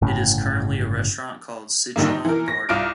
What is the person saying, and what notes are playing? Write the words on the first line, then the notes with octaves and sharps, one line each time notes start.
It is currently a restaurant called Sichuan Garden.
G1 A2 C#3
A#1 D3 D#3 G3 A#3
D#4
E3 A#4
A#6
C2 F4 D6 F6 D7